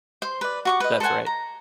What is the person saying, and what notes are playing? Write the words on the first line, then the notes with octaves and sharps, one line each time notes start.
That's right.
C5 C6
B4 D5
F#4 C#6 D6
B4 D#5
A4 C5 F#5 G#5
A#5